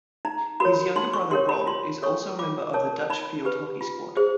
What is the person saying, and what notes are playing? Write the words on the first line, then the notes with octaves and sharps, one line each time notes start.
His younger brother Rob is also a member of the Dutch field hockey squad.
D#4 A#5
F#4 A#4 C#5 B5
D#4 C6
C#6
G4 A#4 C#5 C6
B5
F4 C6
A4 C#5 C#6
F4 D6
A#4 C#5 A5
D#4 B5
G4 B4
F4
G#4 C5